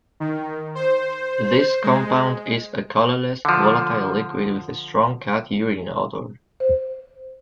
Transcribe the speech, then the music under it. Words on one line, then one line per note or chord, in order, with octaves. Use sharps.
This compound is a colorless, volatile liquid with a strong cat urine odor.
D#3
C5
G#3
D3 F3
C5